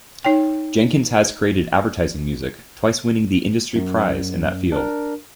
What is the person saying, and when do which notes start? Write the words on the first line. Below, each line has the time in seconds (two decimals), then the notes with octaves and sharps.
Jenkins has created advertising music, twice winning the industry prize in that field.
0.25 D#4 C#5 G5
3.75 F#2
4.72 D4 A#4